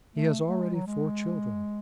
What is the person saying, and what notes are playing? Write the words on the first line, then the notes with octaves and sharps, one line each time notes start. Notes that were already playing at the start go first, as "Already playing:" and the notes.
He has already four children.
A3
A3
G#3
F#3
G#3